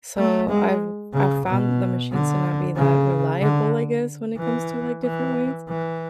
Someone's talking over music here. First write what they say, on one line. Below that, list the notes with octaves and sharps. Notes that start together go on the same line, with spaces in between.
So, I've I've found the machines to not be that reliable, I guess, when it comes to, like, different weights.
A3
G#3
C#3
B2
D3
C#3
D3
E3
E3
E3